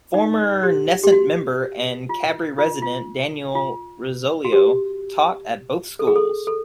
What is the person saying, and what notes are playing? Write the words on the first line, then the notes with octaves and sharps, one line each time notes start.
Former Knesset member and Kabri resident Daniel Rosolio taught at both schools.
D#4
G4
G4
F#4
F4
F4
F4
F4
F#4
G4
A4
G#4
A4
A4